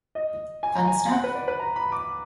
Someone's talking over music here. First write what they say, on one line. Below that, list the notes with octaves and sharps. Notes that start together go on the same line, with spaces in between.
Fun stuff.
D#5
G#5
A#5
G#5
G#5
F#5
B4
D5
B4
A#5
B5
D6